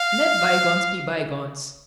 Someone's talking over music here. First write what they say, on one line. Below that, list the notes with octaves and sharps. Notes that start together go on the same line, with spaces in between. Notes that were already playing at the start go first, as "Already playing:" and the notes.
Let Bygones Be Bygones.
Already playing: F5